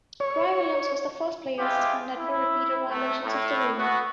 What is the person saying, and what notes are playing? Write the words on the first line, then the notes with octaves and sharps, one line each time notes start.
Roy Williams was the first player suspended for repeated violations of the rule.
C#5
G#3 E4 F4 G4
E4
C3 A3
A2
A3 B3 F#4